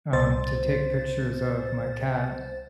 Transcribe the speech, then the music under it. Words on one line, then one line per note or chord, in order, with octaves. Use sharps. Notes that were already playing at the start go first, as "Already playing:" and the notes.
um, to take pictures of my cat,
C2 C5 A6